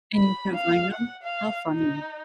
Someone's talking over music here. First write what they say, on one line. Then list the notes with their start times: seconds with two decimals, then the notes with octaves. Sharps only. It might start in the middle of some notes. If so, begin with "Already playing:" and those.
And you couldn't find ‘em? How funny.
0.15 B5
0.54 F5
0.93 F#5
1.23 F5
1.69 D#4